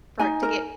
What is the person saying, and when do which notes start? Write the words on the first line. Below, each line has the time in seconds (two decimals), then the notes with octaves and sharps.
for to get
0.19 D#4 G#5
0.43 A#4